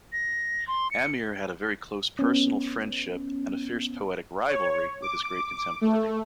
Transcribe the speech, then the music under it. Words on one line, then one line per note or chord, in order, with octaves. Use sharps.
Amir had a very close personal friendship-and a fierce poetic rivalry-with his great contemporary.
A#6
C6
C#7
B3 C#4
C#5
D6
A3